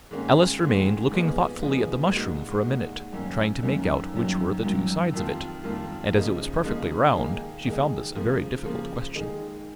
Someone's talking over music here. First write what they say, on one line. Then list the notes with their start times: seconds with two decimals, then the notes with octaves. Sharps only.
Alice remained looking thoughtfully at the mushroom for a minute, trying to make out which were the two sides of it; and as it was perfectly round, she found this a very difficult question.
0.11 G#2 D#3 A#3 C#4
0.61 G#2 D#3 A#3 C#4
1.11 A#2 F3 B3 D#4 G#4
1.61 A#2 F3 B3 D#4 G#4
2.12 A#2 G#3 D#4 F#4
2.62 A#2 G#3 D#4 F#4
3.12 F#2 D#3 A#3 C#4
3.62 F#2 D#3 A#3 C#4
4.13 F#2 D#3 F#3 A#3
4.63 F#2 D#3 F#3 A#3
5.13 F2 D#3 A#3 F4
5.63 F2 D#3 A#3 F4
6.13 C#3 F3 A#3 D#4
6.64 C#3 F3 A#3 D#4
7.14 D#3 A#3 D#4 G#4
7.64 D#3 A#3 D#4 G#4
8.15 C#3 F3 A#3
8.65 C#3 F3 A#3
9.15 D#3 G#3 D#4 G#4